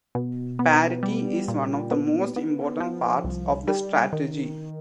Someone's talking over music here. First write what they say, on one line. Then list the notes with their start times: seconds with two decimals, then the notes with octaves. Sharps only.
Parity is one of the most important parts of the strategy.
0.15 B2
0.59 B3
1.03 G3
1.48 A#2
1.91 B3
2.36 B3
2.80 F3
3.24 C2
3.67 G3
4.13 D#3